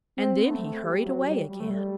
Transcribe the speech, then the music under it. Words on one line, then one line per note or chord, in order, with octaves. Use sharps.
And then he hurried away again.
C4
B3
A3
G3
F#3
G3
G3
A3
G3